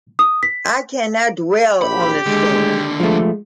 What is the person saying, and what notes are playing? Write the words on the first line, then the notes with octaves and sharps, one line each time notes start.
I cannot dwell on the scene.
D#6
B6
A#1 G4 B5
D#2 D3 G#3
F3 G#3 A3